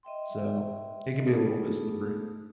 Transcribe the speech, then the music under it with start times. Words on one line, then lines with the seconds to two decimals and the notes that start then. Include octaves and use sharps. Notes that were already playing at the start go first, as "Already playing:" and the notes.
So, it can be a little bit slippery.
0.03 D#5 E5 G5 C6
1.26 A3 B3 D4 D#4 G#4 A4